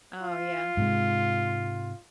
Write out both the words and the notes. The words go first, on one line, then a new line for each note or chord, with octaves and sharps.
Oh yeah.
F4
G#2 C3 G#3